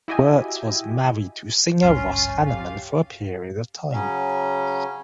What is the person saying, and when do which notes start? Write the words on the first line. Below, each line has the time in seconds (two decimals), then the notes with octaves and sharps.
Wirtz was married to singer Ross Hannaman for a period of time.
0.08 E4 F#4 G4 D#5 E5 G#5
1.83 G#1 C#2 G2 C#4 F4
2.46 G4 F5
3.93 C#3 F#3 C#4